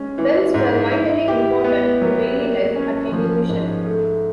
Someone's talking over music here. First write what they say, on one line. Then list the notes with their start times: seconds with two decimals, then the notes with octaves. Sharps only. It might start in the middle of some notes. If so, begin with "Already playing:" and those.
Bells were vitally important to daily life at any mission.
Already playing: G#3 C#4
0.18 E3
0.54 G#2
0.92 E4
1.28 G4
1.64 B3
2.01 F#3
2.38 A#3
2.76 C#4
3.12 F3
3.49 G#2
3.86 A3